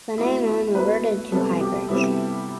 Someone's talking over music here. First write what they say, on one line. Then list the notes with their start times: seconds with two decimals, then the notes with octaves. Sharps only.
The name then reverted to High Bridge.
0.18 B2 A3 E4
0.47 E4
0.75 B2 A3 B4
1.32 C3 G3 B3 A4
1.61 G4
1.89 C3 G3 B3 E4